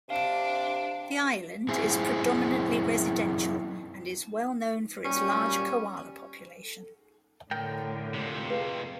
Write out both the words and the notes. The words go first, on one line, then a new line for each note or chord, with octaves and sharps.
The island is predominantly residential and is well known for its large koala population.
C3 D4 F5
F#2 C4 E4 G#4
F#2 A#2 G3 C#4
A2 D3 A#4 G5
F2 C3
G#4 B4 F5